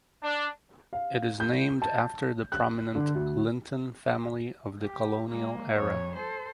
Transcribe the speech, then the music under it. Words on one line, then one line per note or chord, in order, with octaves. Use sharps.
It is named after the prominent Linton family of the colonial era.
D4
F5
G6
A5
F#6
D3
D2
G4
G#3 A#3
F2 C#5
A4 C5